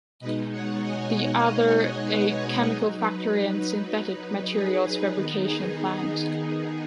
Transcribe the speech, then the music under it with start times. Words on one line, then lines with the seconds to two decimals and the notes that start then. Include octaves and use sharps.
The other a chemical factory and synthetic materials fabrication plant.
0.20 B2 G#3 D#4 B4 D#5
0.51 C#5 F#5
0.82 D#5 G#5
1.13 D#5 G#5
1.44 C#5 F#5
2.05 B4 D#5
2.66 F#3 D#4 G#4 C#5
2.96 B4
4.49 G#4
4.81 B4
5.11 D#3 B3 D#4 B4
5.42 G#4
6.34 G#4